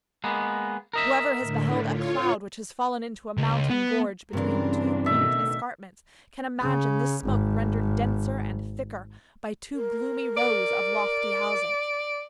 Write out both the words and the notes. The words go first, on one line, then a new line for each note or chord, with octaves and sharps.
Whoever has beheld a cloud which has fallen into a mountain gorge between two peaked escarpments can imagine this smoke rendered denser and thicker by two gloomy rows of lofty houses.
G#3 A#3 B3
A#4 D#5 E5
A2 D3
F4 C#5
C#2
B3
G2 C#3 E3 C4 D4 A#4
B2 D#3 A3 E5
C#3
G#1
A#4
D5